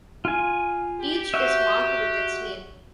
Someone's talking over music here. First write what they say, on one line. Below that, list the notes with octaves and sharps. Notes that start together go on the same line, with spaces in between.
Each is marked with its name.
F4 G#5
G4
F#4 E5